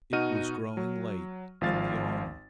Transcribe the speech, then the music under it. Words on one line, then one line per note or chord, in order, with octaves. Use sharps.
It was growing late in the autumn.
B2 D#4 F#4 F6 D#7
F#3
G#1 F3 F5 A6